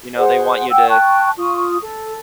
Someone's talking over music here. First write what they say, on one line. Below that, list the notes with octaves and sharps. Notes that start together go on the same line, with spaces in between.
you know, they want you to
G#4 C5 F#5
F#5 G5 E6
G5 A5 C#6 F#6
F4 C#6 D#6
A4